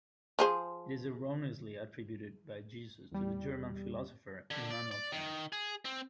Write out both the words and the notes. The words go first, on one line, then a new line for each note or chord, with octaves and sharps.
It is erroneously attributed by Jesus to the German philosopher Immanuel Kant.
F3 G#4 C5
E2 G3
D3
D5
D5
D#3
G#4
C4